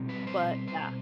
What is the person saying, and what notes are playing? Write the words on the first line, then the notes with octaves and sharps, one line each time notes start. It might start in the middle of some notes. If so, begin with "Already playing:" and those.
but, yeah
Already playing: B2 G3 C4
B4
C5
C5